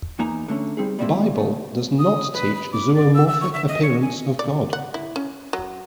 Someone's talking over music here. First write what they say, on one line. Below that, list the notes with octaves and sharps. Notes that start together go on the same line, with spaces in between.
Bible does not teach zoomorphic appearance of God.
E2 A#3 D#4 G#5 A#5
D3 A3 C#4
G3 C4 D#4 G#4
G3 G#3 A#3 C4 E4
C#3 A3
D#6
B4
B5
D6
D5
E6
E6
C#6
E5
D#5
C#5
G#5
D5
F#5
E4
C#4
F#3